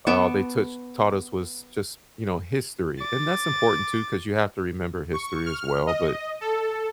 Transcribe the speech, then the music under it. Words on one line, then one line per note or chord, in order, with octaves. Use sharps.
All they touch taught us was just, you know, history, and that's important too 'cause you have to remember history as well, but
B3 A5 C#6 D6
D6 A6
C#6
F6
D#5
A4